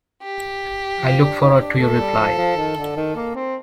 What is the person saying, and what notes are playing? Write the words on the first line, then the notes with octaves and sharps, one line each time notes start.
I look forward to your reply.
G4
F3
D4
D#4
C4
D4
A3 A4
G3
F3
F3
D#3
D3
D#3
A#3
C4